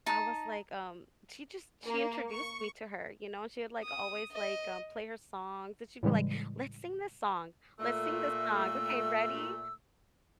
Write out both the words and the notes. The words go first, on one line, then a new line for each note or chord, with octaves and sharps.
I was like, um she just she introduced me to her, you know? And she had, like, always, like, um, play her songs, and she'd be like, "Let's sing this song. Let's sing this song. Okay, ready?"
D#4 A5
A#3
C#6
D#6
D#5
A2 C#3 E3 G3 G#3
A#2 A3 E6